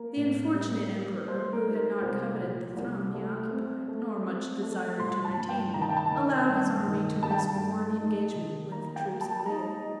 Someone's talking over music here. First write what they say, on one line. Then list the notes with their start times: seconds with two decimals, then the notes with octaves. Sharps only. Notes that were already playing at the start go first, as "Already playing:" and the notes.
The unfortunate emperor, who had not coveted the throne he occupied, nor much desired to retain it, allowed his army to risk one engagement with the troops of Leo.
Already playing: A#3 A#4
0.16 A2
0.54 G3
0.90 A#3
1.27 G3 C5
1.53 A#4
1.65 D#4
1.77 A#4
2.02 C2 C5
2.40 A#2
2.77 C2
3.14 A3
3.51 C4
3.88 A3
4.25 C4
4.62 A3
5.00 G2 C6
5.25 A5
5.37 G2
5.49 G5
5.74 D#3 A#5
5.82 A5
5.89 G5
5.97 A5
6.11 D#3
6.49 G2
6.86 D#3
7.23 G2 A5
7.31 G5
7.38 A5
7.60 A3
7.97 D#4
8.34 D#3
8.72 A#3 A#5
8.96 G5
9.09 A#3
9.21 A5
9.40 A5
9.46 D#4 A#5
9.83 D#4